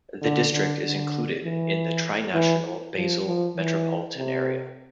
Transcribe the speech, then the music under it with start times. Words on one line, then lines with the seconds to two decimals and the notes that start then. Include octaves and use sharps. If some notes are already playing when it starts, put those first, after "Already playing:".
The district is included in the trinational Basel metropolitan area.
0.22 D3
0.53 D3
0.83 D3
1.43 E3
2.34 E3
2.95 F3
3.26 F3
3.56 E3
4.17 C3